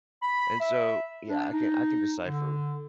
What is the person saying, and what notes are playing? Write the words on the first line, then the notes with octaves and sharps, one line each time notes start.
and so, yeah, I can I can decipher
B5
E5
D4
D#4
D3